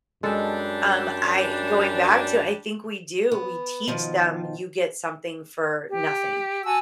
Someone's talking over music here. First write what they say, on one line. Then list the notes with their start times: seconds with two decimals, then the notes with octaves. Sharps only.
um, I going back to I think we do. We teach them you get something for nothing
0.23 F#2 G3 G#3 D4 A4
3.31 B3
3.87 B2 D#3 F3
5.88 G4
6.65 F#4 G#5 A5 E6